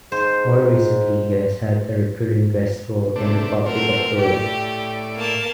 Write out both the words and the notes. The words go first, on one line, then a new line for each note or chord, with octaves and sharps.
More recently, he has had a recurring guest role in "Republic of Doyle".
G#2 C5
C3 A3 D4
F#3 A3 C4 A#4
A2 G4 D5
A#3 A5